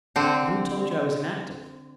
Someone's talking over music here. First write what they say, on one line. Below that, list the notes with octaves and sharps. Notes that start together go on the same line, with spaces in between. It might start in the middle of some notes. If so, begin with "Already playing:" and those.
"But who told you I was inactive?"
D3 C4